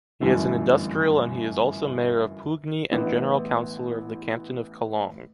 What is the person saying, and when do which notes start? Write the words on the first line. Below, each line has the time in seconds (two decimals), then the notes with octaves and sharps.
He is an industrial and he is also mayor of Pougny and general councilor of the canton of Collonges.
0.21 G1 F#2 E3 A3
2.91 A1 A2 E3 B3 E4